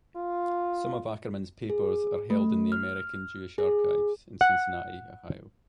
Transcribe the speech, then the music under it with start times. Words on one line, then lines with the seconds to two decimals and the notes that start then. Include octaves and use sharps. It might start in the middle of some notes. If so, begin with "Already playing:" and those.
Some of Ackerman's papers are held in the American Jewish Archives, in Cincinnati, Ohio.
0.16 F4
1.70 G#4
2.30 A3
2.72 F6
3.58 G#4
4.41 F#5